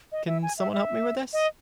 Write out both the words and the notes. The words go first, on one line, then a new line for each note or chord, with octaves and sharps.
Can someone help me with this?
D#5
E5
G#5
E5
E5
D#5